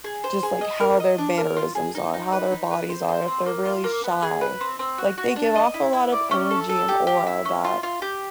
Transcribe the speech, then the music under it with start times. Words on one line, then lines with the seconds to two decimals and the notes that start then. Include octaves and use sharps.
just, like, how their mannerisms are, how their bodies are, if they're really shy. Like, they give off a lot of energy and aura that
0.04 G#4
0.24 C5
0.43 G#4
0.61 D#5
0.80 A#4
1.00 D#5
1.18 D4
1.38 A#4
1.57 F4
1.75 G#4
1.95 D#4
2.13 D#4
2.32 B4
2.51 D#4
2.71 B4
2.89 C5
3.09 C5
3.28 C4
3.46 A#3
3.65 F4
3.84 A#3
4.04 B3
4.22 G#4
4.41 B4
4.61 C4
4.79 C4
4.98 F#4
5.18 F#4
5.36 D4
5.55 D#5
5.74 E4
5.93 E4
6.12 D5
6.31 C#4
6.51 A4
6.69 A4
6.89 G4
7.07 G4
7.26 E4
7.45 C#4
7.65 F4
7.83 F4
8.02 G4